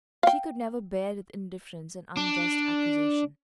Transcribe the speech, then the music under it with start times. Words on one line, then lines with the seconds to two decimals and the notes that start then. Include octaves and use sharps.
"She could never bear with indifference an unjust accusation."
0.23 F5 G5
2.17 D4